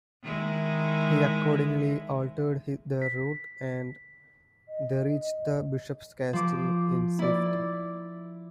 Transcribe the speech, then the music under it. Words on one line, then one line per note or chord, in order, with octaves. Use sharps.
He accordingly altered their route, and they reached the bishop's castle in safety.
D#3 G#3 E4
B6
D#5
F3 D6
E4 D5